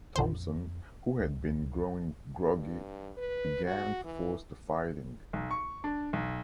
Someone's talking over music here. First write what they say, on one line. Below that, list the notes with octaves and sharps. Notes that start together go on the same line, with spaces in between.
Thompson, who had been growing groggy, began to force the fighting.
A#1 F2 C5
C#2
G2
B4
F#4
E3
B1
C#6
D4
B1